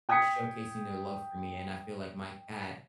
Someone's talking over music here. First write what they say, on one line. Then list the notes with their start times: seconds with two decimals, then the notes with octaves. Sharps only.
showcasing their love for me, and I feel like my cat,
0.09 G5 D#6 G#6 B6 C#7